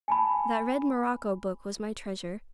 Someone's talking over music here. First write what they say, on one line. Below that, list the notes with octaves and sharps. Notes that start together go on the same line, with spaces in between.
That red morocco book was my treasure.
G#5 A5 B5